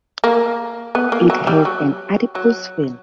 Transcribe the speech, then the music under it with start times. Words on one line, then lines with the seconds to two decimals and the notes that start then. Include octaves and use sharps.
It has an adipose fin.
0.24 A#3
0.95 B3
1.12 A#3
1.30 F#3
1.47 G3
1.65 F#3
2.35 F#3